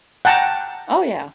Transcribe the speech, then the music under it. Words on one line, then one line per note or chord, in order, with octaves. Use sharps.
Oh yeah,
F#5 G5 A5 A#5